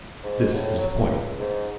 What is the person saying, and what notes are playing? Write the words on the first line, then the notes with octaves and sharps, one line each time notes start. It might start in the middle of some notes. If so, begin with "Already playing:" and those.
This is the point.
G#2
A2
F#3
C#2
G#2